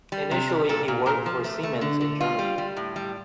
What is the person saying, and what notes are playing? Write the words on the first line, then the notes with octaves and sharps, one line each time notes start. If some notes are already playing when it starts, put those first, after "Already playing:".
Initially he worked for Siemens in Germany.
G3
C3
G3
A#2 A4
A#2
A#2 A#4
F3
A3
A3
D3
D3
G3 F4
G3
G3
A2
G3